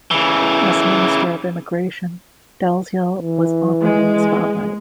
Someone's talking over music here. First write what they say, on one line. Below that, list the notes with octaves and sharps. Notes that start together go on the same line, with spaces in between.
As Minister of Immigration, Dalziel was often in the spotlight.
C#3 E3
E3
G#3